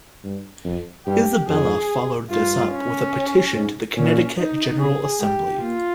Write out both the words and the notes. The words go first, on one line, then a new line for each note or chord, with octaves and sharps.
Isabella followed this up with a petition to the Connecticut General Assembly.
G2
F2
G2 G4
F2 G#4
G2 F4
C#4
G#2
A#2 C#4
D#4
C3 G#4
G#3 G4
A#3 F4